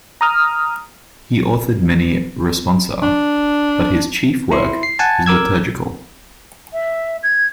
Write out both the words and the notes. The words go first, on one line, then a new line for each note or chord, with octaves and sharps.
He authored many "Responsa," but his chief work was liturgical.
A#5 D#6 F6
D4
E4 C6
C7
F#5 G#5 A5
A#4 D6 E6 G#6
E5
G#6